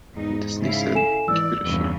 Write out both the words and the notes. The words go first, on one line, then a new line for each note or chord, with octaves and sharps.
Disney said, 'Give it a shot.
E2 G#2 D#4
C#3 E4 F5
A4 G#5 E7
G#2 E3 D5 E6
F1 E2 G2 C#3